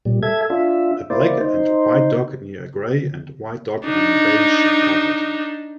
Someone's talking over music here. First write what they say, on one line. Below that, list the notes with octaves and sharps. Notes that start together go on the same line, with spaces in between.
A black and white dog near a gray and white dog on beige carpet.
A#2 G3
A4 E5 G#6
D4 F4 E5
A#3 E4 C5 D5
D#4 C5
D4 D#4